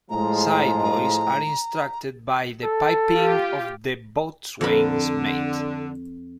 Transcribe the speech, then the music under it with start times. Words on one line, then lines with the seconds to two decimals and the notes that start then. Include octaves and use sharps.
Sideboys are instructed by the piping of the Boatswain's Mate.
0.10 A2 F3 G#3 A#5
2.64 A4
3.11 F4 G4
4.61 F2 D3 A#4 B5